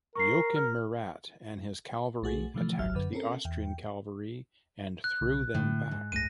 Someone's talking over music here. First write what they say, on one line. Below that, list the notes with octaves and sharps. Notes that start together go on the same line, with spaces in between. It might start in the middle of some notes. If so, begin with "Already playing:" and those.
Joachim Murat and his cavalry attacked the Austrian cavalry and threw them back.
A#4 C#6 C7
F6
B1 A3 F#4 G#4
B2 D3 E3 F3 A3
G1 C2 F#3 E5 F6
F#2 D3 B4
C4 C#4 A4 A#4
E2 G5
F#6
B1 C#3
A2 D3
G#2
F#1 C#2 A3 A#6 D#7